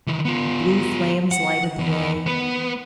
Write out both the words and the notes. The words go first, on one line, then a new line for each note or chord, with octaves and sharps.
Blue flames lighted the way.
D#3 E3
B3 F4
F#5
E2
B3 B4